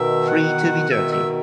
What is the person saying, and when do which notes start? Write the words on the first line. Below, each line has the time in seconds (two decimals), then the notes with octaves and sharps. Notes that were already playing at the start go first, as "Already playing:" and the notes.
Free to Be Dirty!
Already playing: B2 D#3 E5
0.28 F#5
0.91 B2 D#3 E5
1.12 E5